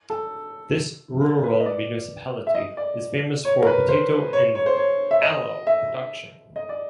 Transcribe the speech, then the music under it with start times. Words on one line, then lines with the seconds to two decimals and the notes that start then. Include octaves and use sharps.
This rural municipality is famous for Potato and "Allo" production.
0.10 A4
1.22 A#4
1.44 B4
1.60 D#5
1.66 D5
2.47 E5
2.55 D#5
2.77 D5
3.45 C#5
3.62 A#4
3.67 B4
3.88 C5
4.33 C#5
4.55 C#5
4.66 C5
4.77 C#5
5.11 E5
5.22 D#5
5.67 E5
6.56 D#5
6.69 D5